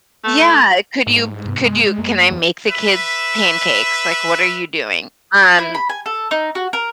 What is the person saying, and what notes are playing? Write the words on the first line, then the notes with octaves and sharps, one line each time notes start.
Yeah, "Could you could you can I make the kids pancakes?" Like, "What are you doing?" Um
A3
G#2
G2 C3 B3
G#3
F#2 A3 A#3
E2
B4 E5
E4
B5
G#5
A4
D#4
F#4
A#4